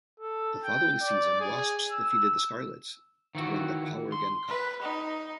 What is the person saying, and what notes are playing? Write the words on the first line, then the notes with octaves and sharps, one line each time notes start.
The following season Wasps defeated the Scarlets to win the Powergen Cup.
A4
G5
D5
G#4
E6
D#3 E3 F#4
C6
B4
D#4